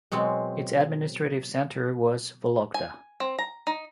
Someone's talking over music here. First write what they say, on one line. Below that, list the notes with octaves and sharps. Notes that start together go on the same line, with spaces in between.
Its administrative centre was Vologda.
B2 F#3 G#3 C4
G#5
C4
A#5
D#4